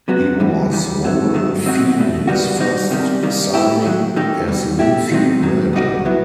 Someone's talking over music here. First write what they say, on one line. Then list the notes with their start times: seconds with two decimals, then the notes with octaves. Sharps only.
He was Warren Feeney's first signing as Linfield manager.
0.08 C3 F#3 B3 F#4
0.40 F#2 E3 G3
0.71 E2 D#3 G3
1.03 E2 C3 F#3 A3
1.34 D#3 F#3 A3
1.66 F#2 F#3 C4 D#4 F#4
1.96 C2 B2 A3
2.27 D#3 G3 B3 F#4
2.60 B2 G3 D#4
2.91 C3 D#3 G3
3.23 D#2 D#3 G3
3.54 B2 A3 E4 G4
3.85 D#2 D#3 F#3
4.16 D#3 A3 D#4 G4
4.48 C2 B2 G3
4.79 B2 A3 E4 G4
5.11 D#2 D#3 F#3 C4 D#4
5.42 D#2 D#3 F#3
5.73 B2 G3 D#4 F#4
6.05 B2 F#3 B3 E4